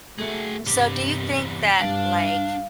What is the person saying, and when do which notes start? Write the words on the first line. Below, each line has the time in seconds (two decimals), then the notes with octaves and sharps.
So, do you think that, like,
0.19 A3 F#4 G#4
0.66 E2 G2 C3 G4
1.80 G2 D4 F5